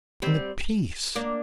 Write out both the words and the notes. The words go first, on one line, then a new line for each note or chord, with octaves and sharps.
And the peace!
G3 C4
A#3 D4